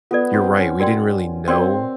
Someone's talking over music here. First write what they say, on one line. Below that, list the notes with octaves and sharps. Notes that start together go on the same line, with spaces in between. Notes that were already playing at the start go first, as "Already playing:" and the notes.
you're right, we didn't really know
B3 F4 A4 D5
C4
C#4
F#4 A#4 D5 G5 C6
C4 F#4 A#4 D5 G5 C6